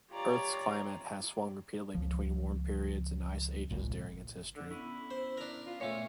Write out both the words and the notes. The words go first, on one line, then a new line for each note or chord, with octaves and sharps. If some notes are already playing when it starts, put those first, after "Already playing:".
Earth's climate has swung repeatedly between warm periods and ice ages during its history.
F4 G4 C#5 D5 A#5
C#2 F3
G#1 C#2 A#2
D3
B3 C#4 E4
C5
D4 A#4
F4
A#2 A3 C#5